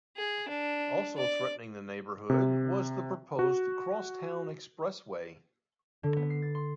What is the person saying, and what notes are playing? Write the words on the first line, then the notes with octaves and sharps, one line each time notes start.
Also threatening the neighborhood was the proposed Crosstown Expressway.
G#4
D4
D5
C3
F#4
D3
B3
C7
A6
C6